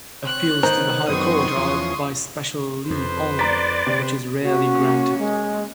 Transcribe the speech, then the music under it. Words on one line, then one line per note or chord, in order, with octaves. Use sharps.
Appeals to the High Court are by special leave only, which is rarely granted.
C4 C#5 F#6
D#3 B3 C5 A#5
F#2 B3 C4 C6 C#6 D#6
E2 F3 C#4
F2 B4 C5
D5 A#5 B6
C3
A#3 C#4 F#4
G#3